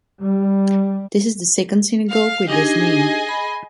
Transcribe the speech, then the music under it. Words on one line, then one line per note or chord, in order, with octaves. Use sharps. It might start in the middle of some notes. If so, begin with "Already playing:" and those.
This is the second synagogue with this name.
G3
F5
D4 D#4 G4 G#4 D#5 G#5
B5